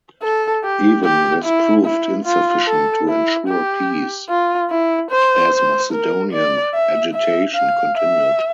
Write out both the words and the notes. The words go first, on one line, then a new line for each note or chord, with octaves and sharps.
Even this proved insufficient to ensure peace, as Macedonian agitation continued.
A4
G4
G4
E4
E4
F4
A4
E4
G4
F4
E4
C5
C5
A#4
D5
E5
E5
F5
E5